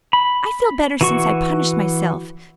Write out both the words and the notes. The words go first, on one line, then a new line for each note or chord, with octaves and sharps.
I feel better since I punished myself.
B5
E3 F#4 C#6